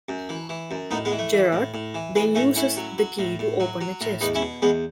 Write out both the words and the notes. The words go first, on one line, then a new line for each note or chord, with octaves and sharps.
Jared then uses the key to open a chest.
F#2
E3
E3
F#2
A2 B3 D#4
G#3 B3
E3
A3
E3
A2
A2
E3
E3 G#3 B3
A2 A3 C#4
A2 C#4 E4
F#3
F#3
A2
A2
F#3
F#3
A2
E2 B3 D#4
C#4 E4
B2
E2 G#3 B3